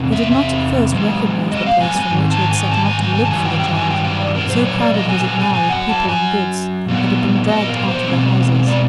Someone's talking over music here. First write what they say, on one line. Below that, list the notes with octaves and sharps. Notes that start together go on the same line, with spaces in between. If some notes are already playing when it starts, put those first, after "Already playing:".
He did not at first recognize the place from which he had set out to look for the child, so crowded was it now with people and goods that had been dragged out of the houses.
Already playing: E2 C3
E5
E5
F#2 C#3 G#3
D#5
F5
G#5
G#5
G#2 D#3
A5
G#5
A5
G#5
G#5
G#5
A5
G2 D#3 F#3 G#5
G5
G5
G#5
G5
G5
D5
A#4
A#2 F#3 A3 C5
C#5
D5
D#5
G#5
G#5
G#5
G#5
F#2 C#3 F#3 F#5
A5
G#5
A#2 F#3 B3
D#5
A#4
C5
B2 G#3 C4
D5